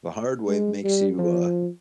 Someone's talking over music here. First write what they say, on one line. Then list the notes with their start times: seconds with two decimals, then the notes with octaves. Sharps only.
the hard way makes you, uh,
0.48 G#3
0.84 G3
1.18 F3